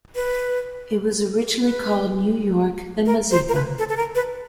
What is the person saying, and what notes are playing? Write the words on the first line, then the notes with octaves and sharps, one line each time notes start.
It was originally called New York, then Mazeppa.
B4
B4
A#4
C5
A#4
B4
A4
A4
A#4
B4